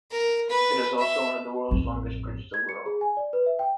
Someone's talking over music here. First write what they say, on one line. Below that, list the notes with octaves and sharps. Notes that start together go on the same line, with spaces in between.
It is also one of the world's longest bridges overall.
A#4
B4
E5
A1 F2
G#6
C#7
G#4
G#5
D5
B4
E5
G5